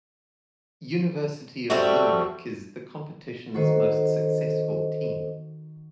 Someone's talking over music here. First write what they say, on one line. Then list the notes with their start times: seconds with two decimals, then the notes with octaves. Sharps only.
University of Limerick is the competitions most successful team.
1.70 G3 A3 C4 F#4
3.55 D#3 F#4 A4 C5 D#5